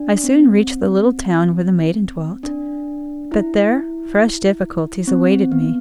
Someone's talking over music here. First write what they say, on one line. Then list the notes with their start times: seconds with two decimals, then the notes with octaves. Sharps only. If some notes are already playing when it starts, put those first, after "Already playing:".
I soon reached the little town where the maiden dwelt; but there fresh difficulties awaited me.
Already playing: D4
0.24 C4
2.43 D4
3.32 E4
5.07 C4
5.52 B3